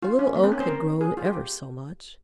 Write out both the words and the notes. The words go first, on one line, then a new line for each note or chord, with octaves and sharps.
The Little Oak had grown ever so much.
F4
C#4
A#3
C4
C#4
C5
A#4
G#4
F4
G4